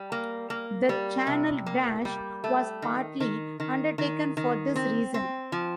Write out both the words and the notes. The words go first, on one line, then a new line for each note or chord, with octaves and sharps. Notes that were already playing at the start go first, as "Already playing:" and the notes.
The Channel Dash was partly undertaken for this reason.
Already playing: G3
A#3
A#3
G3
C3
A#3
G3
A3
D#3
D#3
D#3
D#3
D#3
C4
C4
F3